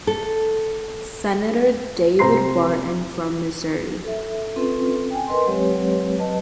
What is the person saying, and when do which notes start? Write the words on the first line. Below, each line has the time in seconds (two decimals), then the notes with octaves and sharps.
Senator David Barton from Missouri.
0.07 A4
2.19 C3 C5 A#5 C6 C7
4.04 A4 E5
4.56 C4 C#4 F4 A4 B4
5.11 G5 G#5
5.27 A#4 B4 D#5 C6
5.46 F#3 G#3 C4 G4 B4 C#5
6.19 F#3 B4 D#5 A5